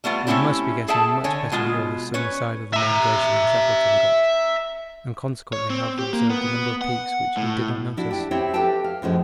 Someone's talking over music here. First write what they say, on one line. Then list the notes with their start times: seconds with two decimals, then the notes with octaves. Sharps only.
We must be getting a much better view of the southern side of the main glacier than Shackleton got, and consequently have observed a number of peaks which he did not notice.
0.04 G3 A3 B3 F4
0.27 A3 A#3 C4 C#4 E4 G4
0.88 G#4 A4 E5 G5 A5
1.24 D3 C#5 G#5
1.52 B2 G#3 F4
2.14 C#4 B4 C#5
2.74 E5 A#5
5.53 C#5
5.70 C4
5.99 G4
6.13 A#3
6.30 B3
6.82 F#5
7.37 A2
7.97 D4 E4 F#4
8.11 D4 E4 G4
8.31 C4 E4 G4 C#5 F#5
8.54 G4 A4 B4 G5 A5
8.84 F5
9.02 F#2 A2 F3 G#3